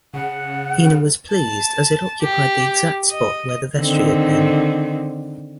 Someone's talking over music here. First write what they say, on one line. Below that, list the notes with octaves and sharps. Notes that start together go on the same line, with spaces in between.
Ena was pleased as it occupied the exact spot where the vestry had been.
C#3 F#5
A5
G4
D#5
D3 D#3 C4